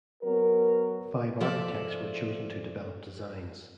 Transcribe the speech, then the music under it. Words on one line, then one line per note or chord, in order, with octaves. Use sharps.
Five architects were chosen to develop designs.
F#3 B3 A#4
F3 A4 D5 E5